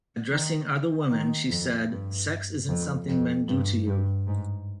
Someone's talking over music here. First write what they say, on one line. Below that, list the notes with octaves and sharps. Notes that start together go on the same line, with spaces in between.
Addressing other women, she said, Sex isn't something men do to you.
D#3
D#3
F2
G2
F2
F2
G2
G2
G#2